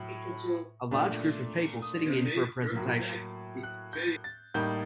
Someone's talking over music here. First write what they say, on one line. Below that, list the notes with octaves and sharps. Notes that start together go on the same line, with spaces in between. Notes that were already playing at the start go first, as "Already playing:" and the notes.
A large group of people sitting in for a presentation.
Already playing: A2 F#3
A#2 A3 D4
D#6
A2 F#3 A#3
F#6
G6
A6
A2 G3 A#3 D#4 G6